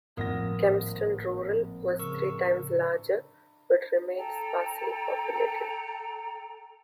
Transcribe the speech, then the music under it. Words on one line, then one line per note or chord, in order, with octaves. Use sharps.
Kempston Rural was three times larger, but remained sparsely populated.
G#1 A2 F3 A#3 A#4 F#5 D#6 A#6
C#3 A#4 C#6 E6
A4 G5 A#5